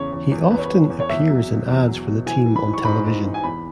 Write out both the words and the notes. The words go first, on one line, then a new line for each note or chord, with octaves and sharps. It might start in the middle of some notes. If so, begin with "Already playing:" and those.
He often appears in ads for the team on television.
Already playing: E2 C#3 C#5
E2
E2
E2 B4
C#5
B4
E2
E2
C#5
E2 E5
F#3
B2
E2
F#3
B2
E3 G#5
E3
B5
G#2
C#6
G#2 B5
G#2
E3
G#5
E2 B5